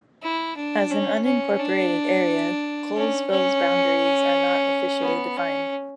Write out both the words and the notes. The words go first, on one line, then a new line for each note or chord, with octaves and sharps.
As an unincorporated area, Colesville's boundaries are not officially defined.
E4
D4
C#4
C#4
D4
C#4
C#4
B3
C#4